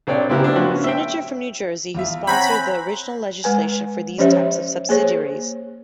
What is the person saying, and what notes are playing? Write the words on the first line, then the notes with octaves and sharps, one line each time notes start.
Senator from New Jersey who sponsored the original legislation for these types of subsidiaries.
A#1 C4 C#5 D5 G5
C#2 B3 C4 E4 G4 A#4
D4 E4
F3 B3 F#4
C#4
E5 G5
E2 F4 E5
C4 C#5 F#5 G#5 A#5 B5
G#3 B4 G#5
F3 C#4 G4 C5 C#5 E5
A#3 G#4 C5 C#5